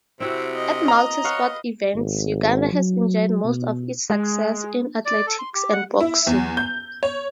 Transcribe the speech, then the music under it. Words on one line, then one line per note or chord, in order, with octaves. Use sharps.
At multi-sport events, Uganda has enjoyed most of its success in athletics and boxing.
C3 C4 E4 F#4
D#5
A#5
B4 C#5 F5 F#5
G#1
F#3
B2
G#3 G#4
D5
A4
C6
G4
F#5
E4
E2
G6
C#5